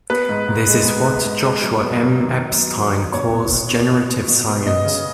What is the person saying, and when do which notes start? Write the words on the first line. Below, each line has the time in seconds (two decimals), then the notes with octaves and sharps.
This is what Joshua M. Epstein calls generative science.
0.10 B3 B4
0.29 G#2
0.48 G#2
0.67 G#3
0.85 B3
1.05 G#2
1.24 G#2
1.43 G#3
1.62 F#3
1.80 B3
2.00 F#2
2.19 D#3
2.38 F#3
2.57 B3
2.76 F#2
2.95 D#3
3.14 B2 C#5
3.33 B3
3.52 B2
3.71 B3
3.90 B2
4.09 B3
4.28 B2
4.47 B3
4.66 B3 D#5
4.85 C#3